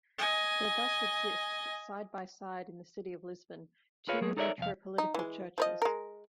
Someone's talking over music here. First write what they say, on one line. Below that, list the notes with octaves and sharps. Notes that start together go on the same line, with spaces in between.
There thus existed side by side in the city of Lisbon two metropolitical churches.
D#5 G#5
F4 G#4 B4 C#5 F5
F#3 A3 G#4
D#4 A4 A#4 C#5 D5 E5
C2 F2 F5
D#4
E3 G#3
F3 B4 D#5
G#3 A#4